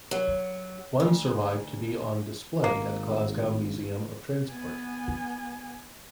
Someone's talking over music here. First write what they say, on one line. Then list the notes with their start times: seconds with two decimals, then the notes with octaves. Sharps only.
One survived to be on display at Glasgow Museum of Transport.
0.11 F#3
1.00 D2
2.64 G#1 A#3
4.51 B3 G#5